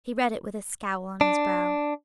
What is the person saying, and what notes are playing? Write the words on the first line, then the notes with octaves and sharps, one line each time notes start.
He read it with a scowl on his brow.
D4